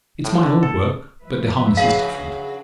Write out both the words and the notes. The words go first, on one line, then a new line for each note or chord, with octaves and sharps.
It's my old work, but the harness is different.
A2
D3
A4
F3 B4 E5
C#3 F#3 G#4 F5